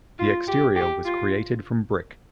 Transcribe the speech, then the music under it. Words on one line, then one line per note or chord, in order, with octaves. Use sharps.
The exterior was created from brick.
F4
G4
G4
F4